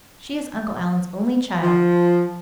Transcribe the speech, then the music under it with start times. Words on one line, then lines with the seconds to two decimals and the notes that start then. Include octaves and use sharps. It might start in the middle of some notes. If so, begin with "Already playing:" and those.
She is Uncle Allan's only child.
1.62 F3